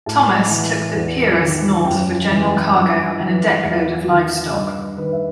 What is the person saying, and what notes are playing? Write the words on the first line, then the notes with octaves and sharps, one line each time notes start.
Thomas took the "Peeress" north for general cargo and a deckload of livestock.
A2 A5
B5
A5
E3
E2
D#3
F#2 G5
E3
G2
E3
F#5
E2 E5
D#3
G2 D#5
D#3 B4
E5